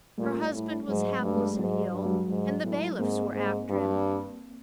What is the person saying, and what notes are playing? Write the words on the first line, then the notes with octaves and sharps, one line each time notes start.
Her husband was helpless and ill, and the bailiffs were after him.
A#2 G3 A3
A2
G#2 F#3 G#3
G2 A3
G#3
G3
G#2 F#3
G3
G2
F#3 G#3
G#2
A2
G#2 A#3 C4
G#2
G2